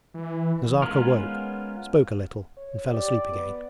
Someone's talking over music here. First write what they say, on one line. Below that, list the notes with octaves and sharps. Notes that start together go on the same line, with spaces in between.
Nazarka awoke, spoke a little, and fell asleep again.
E3
G#3 B3 C#4 F4 A#4
C#5
G4 D5
B3